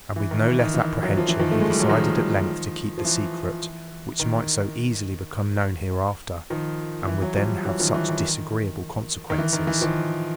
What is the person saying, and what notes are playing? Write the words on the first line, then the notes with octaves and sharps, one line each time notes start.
And with no less apprehension he decided at length to keep the secret, which might so easily become known hereafter, and would then have such disagreeable consequences.
E3
D#3
E3
D#3
E3
E3 F#3
F3
E3
D#3 F3
A3
G#3
G3
F#3
D#3 F3
F3
E3
D#3
D#3 F3
E3
E3 F#3
F3 G3
E3 F#3
D#3 F3
E3
D#3
D#3
E3
D#3
E3
D#3 F3